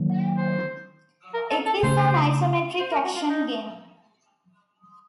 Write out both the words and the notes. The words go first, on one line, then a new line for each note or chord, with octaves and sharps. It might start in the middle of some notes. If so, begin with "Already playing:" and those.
It is an isometric action game.
Already playing: D#3 F#3 A#3
C5
A#4
A4
A4
C#3 A3 C#4 C5
C5
A#4
F#4
F4
D#4